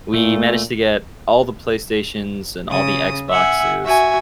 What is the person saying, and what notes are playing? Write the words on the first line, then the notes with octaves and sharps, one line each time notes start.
We managed to get all the PlayStations and all the Xboxes.
A#2 A3
C#3 D#6
E5 F#5 G#5
F#4 E5 G#5